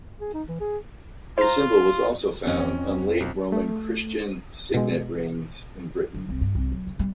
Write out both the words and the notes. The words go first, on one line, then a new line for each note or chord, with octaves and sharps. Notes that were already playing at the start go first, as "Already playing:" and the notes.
The symbol was also found on Late Roman Christian signet rings in Britain.
G#4
D#4
E3
G#4
F4 C5 A#5
F2 C4 C#4 D#5 C#7
B1
A3
B2 G#3
F#3
C2
G2
C2
F#3
C#3
G3